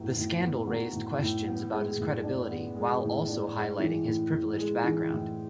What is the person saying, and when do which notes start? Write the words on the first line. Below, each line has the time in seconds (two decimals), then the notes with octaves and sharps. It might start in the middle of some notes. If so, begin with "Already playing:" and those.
The scandal raised questions about his credibility while also highlighting his privileged background.
Already playing: A2 F#3 B3
0.15 A2
0.41 B3
0.67 F#3
0.93 A2
1.19 A2
1.44 B3
1.70 G#3
1.97 A2
2.23 D4
2.48 B3
2.75 G#3
3.01 A2
3.28 D4
3.54 G#3
3.79 E3
4.05 A2
4.32 A2
4.57 G#3
4.84 E3
5.10 A2